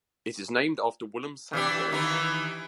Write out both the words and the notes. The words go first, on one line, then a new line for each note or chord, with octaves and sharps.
It is named after Willem Sandberg.
E3 D4 G4
D#3 E3 D#4